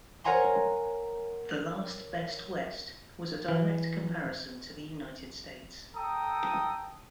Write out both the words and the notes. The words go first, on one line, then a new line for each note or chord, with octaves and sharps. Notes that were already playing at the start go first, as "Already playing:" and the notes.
"The Last Best West" was a direct comparison to the United States.
A#4 C#5 F#5 G#5 A#5 C6
E3
A4 G5 A#5 D#6